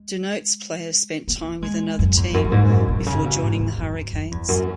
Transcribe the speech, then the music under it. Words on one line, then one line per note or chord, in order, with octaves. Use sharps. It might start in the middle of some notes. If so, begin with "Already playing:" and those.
Denotes player spent time with another team before joining the Hurricanes.
Already playing: G#3
B3
G#3
F#2
E2
F#2
F#2
G#2
F#2
B2
C#3
B2
G#2
E2
F#2
F#2
E2
F#2